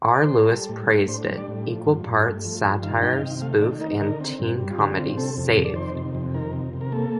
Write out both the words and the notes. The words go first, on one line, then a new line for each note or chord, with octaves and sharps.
R Lewis praised it: "Equal parts satire, spoof and teen comedy, "Saved!
D5
C5
A#4
G3 A4
A2
A2
D4 C5
G3
D5
A2
F3
G2
G2
A3
F3
G2
D#3 F5
D#4 G5
F5
C3
A3 F5
D#3 D5
D#4 A#4
D3 A#4
C4
G2
G3
F4
D3 G4
C4 F4
C3 A4
F2
F2
D5
D#3 C5
C3
F2
D#3 A#4
C3
C3
A#4
A#3 A4